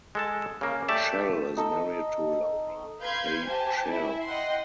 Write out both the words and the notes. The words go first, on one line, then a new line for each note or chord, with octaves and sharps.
Shell is married to Laura Fay Shell.
G#3 A4 A5
C#3 A#3
A3 G4 D5 E5 A5
D#4 A4 D#5 E6
B4 F5 C6 G6 G#6 C7
G4 C5 G#5 A5
E4 E5
D#5 F#5 G5 C6